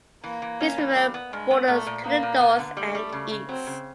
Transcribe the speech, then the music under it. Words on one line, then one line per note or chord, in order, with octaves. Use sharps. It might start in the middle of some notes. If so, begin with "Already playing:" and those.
Peace River borders to the north and east.
E3 A#3
E3
C#4
E3
G3
B3
G2 G#3
B3
A#2 A3
A#2
A#3 B3
A#2
B3
D3
G3 A3
G3
C#3
C#3
F#3 C4
C#3